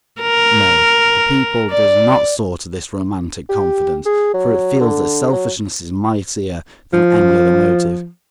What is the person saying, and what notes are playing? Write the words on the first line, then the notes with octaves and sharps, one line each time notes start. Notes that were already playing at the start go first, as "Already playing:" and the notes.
No, the people does not soar to this romantic confidence, for it feels that selfishness is mightier than any other motive.
A#4
D5
G4
G#4
F#3
D3
F#3
F3